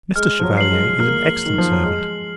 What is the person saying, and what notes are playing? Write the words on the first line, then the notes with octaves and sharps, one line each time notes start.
Mr. Chevalier is an excellent servant.
G#3 F6
F3
F#3
C7 F#7
G#3
A#3 F6
D#3 C7 F#7
F3
F#3
G#3 F6